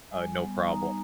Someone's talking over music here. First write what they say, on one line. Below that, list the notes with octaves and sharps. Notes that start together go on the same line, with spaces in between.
uh, no problem,
G3 G#5
B3
D#4 A#5